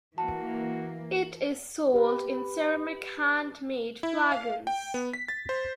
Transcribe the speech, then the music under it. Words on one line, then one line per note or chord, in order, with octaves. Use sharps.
It is sold in ceramic handmade flagons.
E3 A#3 F#4 A5
G4 B4
E4
F5
G5
B3
B6
A6
C5